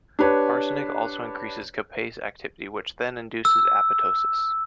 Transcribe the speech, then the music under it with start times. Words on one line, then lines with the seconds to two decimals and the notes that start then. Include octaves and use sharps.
Arsenic also increases caspase activity which then induces apoptosis.
0.19 D4 G4 B4 C#5
3.45 E6